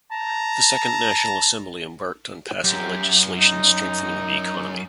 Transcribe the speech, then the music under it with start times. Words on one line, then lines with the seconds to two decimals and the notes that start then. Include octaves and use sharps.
The Second National Assembly embarked on passing legislation strengthening the economy.
0.11 A5 A#5
2.64 F#2 G4
3.39 D#4